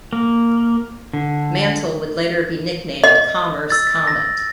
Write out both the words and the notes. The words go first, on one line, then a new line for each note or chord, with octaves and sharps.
Mantle would later be nicknamed The Commerce Comet.
A#3
D3
D#5
E6 A6
A#6